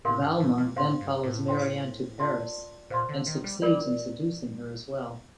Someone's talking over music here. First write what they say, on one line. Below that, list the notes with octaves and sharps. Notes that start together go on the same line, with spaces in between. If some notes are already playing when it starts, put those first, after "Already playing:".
Valmont then follows Marianne to Paris and succeeds in seducing her as well.
A2 A#4 F5 C6
G2
A2
A#2
A2 C5 F5 C6
G2
A2
C5 G5 C6
F4 A#4 D5 A5 C6
A#2 C5 F5 C6
D3
D#3
G3
G3 F4 A#4 D5